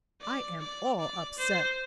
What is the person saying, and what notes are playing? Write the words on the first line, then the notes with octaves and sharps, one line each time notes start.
I am all upset!
D5
D5
D5
C5